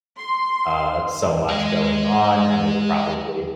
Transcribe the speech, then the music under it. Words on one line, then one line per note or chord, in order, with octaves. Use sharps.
uh, so much going on, and they've probably
C6
G#3 D#5